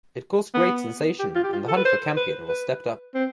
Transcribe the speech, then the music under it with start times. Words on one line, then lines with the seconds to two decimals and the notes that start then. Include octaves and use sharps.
It caused great sensation, and the hunt for Campion was stepped up.
0.54 B3
1.19 G4
1.35 F4
1.44 G4
1.53 F4
1.68 A4
1.77 B4
1.85 C5
2.17 B4
2.49 B4
3.14 C4